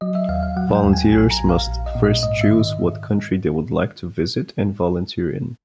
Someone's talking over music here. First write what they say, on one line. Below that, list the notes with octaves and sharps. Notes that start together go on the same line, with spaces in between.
Volunteers must first choose what country they would like to visit and volunteer in.
F#3 D#5
E5
D#2 F5
F5
F#3 F#5
G5
D#2
G#5
A#1 G#5
A#5
A#1
F5
A#1
D#5
A#2
D#5
G#2 D#5
E5
D#3
D#5